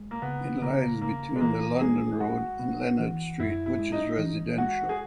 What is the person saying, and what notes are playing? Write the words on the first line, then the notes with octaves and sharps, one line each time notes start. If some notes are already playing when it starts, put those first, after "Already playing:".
It lies between the London Road and Lennard Street which is residential.
Already playing: G#3
A#3
C#3 B3
C#3 A#3
C#3 A#3
G#3
E3 A#3
G#3 G#4
G#3 F#4
B3
E3
F#2 E4
E4
G#3
D#4
E3
G#3 F#4
G#4